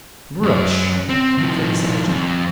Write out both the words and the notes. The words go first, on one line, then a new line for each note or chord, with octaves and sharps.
"Rubbish!" said the soldier.
F#2 C#4
C4
D#3 F3
F2